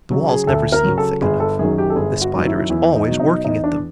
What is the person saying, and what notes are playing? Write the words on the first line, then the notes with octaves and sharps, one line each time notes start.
The walls never seem thick enough; the Spider is always working at them.
C#3 F#3
G#4
D2 A4
A#4
C#3 F#3
A4
G1 G#4
A4
F#2 D#3 F#3 G#4
G4
A4
G1 G#4
F#4
F#2 D#3 F#3
E4
E2 E4
D#4
B2 F#3
D#4
E2 D#4
D4